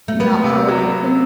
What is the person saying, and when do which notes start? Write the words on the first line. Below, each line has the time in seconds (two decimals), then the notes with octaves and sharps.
not power tripping?
0.08 A3
0.20 A#3 B3
0.44 C3
0.68 F#3